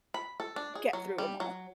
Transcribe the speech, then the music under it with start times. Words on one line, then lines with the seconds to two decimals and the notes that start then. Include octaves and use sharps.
get through ‘em all.
0.14 B5
0.40 A4
0.56 D4
0.75 G#4
0.93 F#3
1.18 G3
1.40 F#3